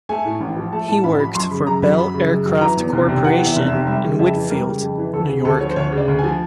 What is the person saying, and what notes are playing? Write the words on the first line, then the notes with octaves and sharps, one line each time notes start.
He worked for Bell Aircraft Corporation in Wheatfield, New York.
A3 G#5
A2
A1
F3
A3 A5
A2 A5
A1 B5
F3 B5
F#2 C6
C#3 B5
F#2 A#5
F#3 B5
F#2 B5
C#3
F#2
F#3
E3 A#5
E2
F1
C3
E3 F#5
E2
E5
F1
E5
C3
G3 E5
C#3
F2 E5
E3
G3 A#4
C#3
F2
E3
D2 A4
C#3 G#4
D2 A4
F3 C#5
C5
D2 C#5
C#3
D5
D2
G#5
F3